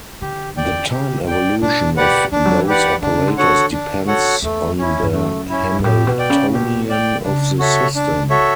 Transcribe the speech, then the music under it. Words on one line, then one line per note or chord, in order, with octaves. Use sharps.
The time evolution of those operators depends on the Hamiltonian of the system.
D3 G4
D5 G5
G4
D5 G5
B2 D4
G4 B4 D5 F#5
E3 D4
F#3
E3
G4 B4 D5 F#5
D3 D4
C#3
D3
F#4 A4 C#5 F#5
D4
F#4 A4 C#5 F#5
E2 A3
C#4 E4
G2
F#2 A3
C#4 E4
G2
A2 G4
B2
D5 G5
C#3
B2 G4
D5 G5
C#3 D4
F#4 A4 C#5 E5
D4
F#4 A4 C#5 E5